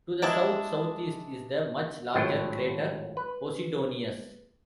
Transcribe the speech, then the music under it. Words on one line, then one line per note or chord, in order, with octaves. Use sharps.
To the south-southeast is the much larger crater Posidonius.
G#3 D4 E4 D5
G#1 A2 F#3 F4 G5
B4